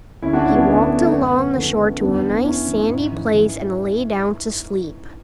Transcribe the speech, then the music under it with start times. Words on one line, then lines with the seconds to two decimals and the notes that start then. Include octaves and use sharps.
He walked along the shore to a nice sandy place and lay down to sleep.
0.22 D2 C#4 E4
0.33 D4 F#4
0.44 D2 C#4 E4
0.55 B3 D4
0.66 D3 B3
0.78 A3
0.89 D2 B3
1.00 A3
1.12 F#2 B3
1.34 C#3
1.56 E3 A3 C#4
1.79 C#3
2.00 E2 B3 D4
2.22 E2
2.45 C#3 C#4 E4
2.67 E3
2.89 G#2
3.12 E3
3.34 E3